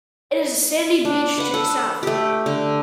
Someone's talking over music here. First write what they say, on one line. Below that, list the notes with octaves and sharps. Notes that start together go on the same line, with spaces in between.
It is a sandy beach to the south.
D4
B4 F#5
A4
A3 G4
D3